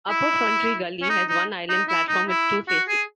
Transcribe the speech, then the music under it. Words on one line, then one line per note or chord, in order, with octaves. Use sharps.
Upper Ferntree Gully has one island platform with two faces.
E4
C#4
D#4
D#4
D#4
E4
D#4
E4
F#4
G#4